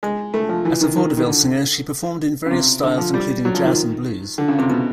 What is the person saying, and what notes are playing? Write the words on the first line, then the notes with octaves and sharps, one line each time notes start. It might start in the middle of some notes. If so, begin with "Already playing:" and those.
As a vaudeville singer she performed in various styles, including jazz and blues.
G#3
A3
F3
E3
D#3
D#3
D#3
D3
C#3
C3
D3
F3
G3
F#3
F3
D#3
D3
C#3
C3
B2